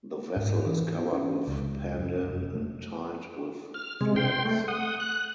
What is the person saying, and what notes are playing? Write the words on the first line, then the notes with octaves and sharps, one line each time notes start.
The vessel is covered with pandan and tied with threads.
G#2
E3
B3
C#4
C#2
F#2
F1
A3
F6
C3 G#3
G5 C6
A3
F#5 D#6
F#6